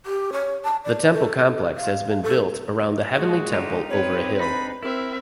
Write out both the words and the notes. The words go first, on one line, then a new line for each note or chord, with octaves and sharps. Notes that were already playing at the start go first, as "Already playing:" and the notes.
The temple complex has been built around the heavenly temple over a hill.
G4
C#5
A5
D5
A4
F5
A4
A#2 G#3 F#4
D3 D#4 F4 G4
C4 B4 C#5
D4 D#4 B5
C4 E4 A#4 E5